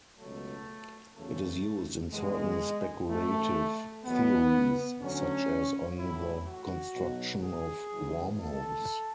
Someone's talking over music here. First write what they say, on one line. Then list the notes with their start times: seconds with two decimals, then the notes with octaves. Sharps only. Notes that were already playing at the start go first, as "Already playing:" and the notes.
It is used in certain speculative theories, such as on the construction of wormholes.
0.19 C#2 B2 F#3 A3
1.15 E2 C#3 F#3 A3
2.12 E2 B2 F#3 G#3
3.09 G#1 F#2 E3 A3
4.05 E2 B2 F#3 B3
5.02 D2 D3 F#3 C#4
5.98 A1 A2 F#3 E4
6.46 F#4
6.94 B1 B2 F#3
7.43 G#4
7.91 F#1 F#2 E3
8.39 A4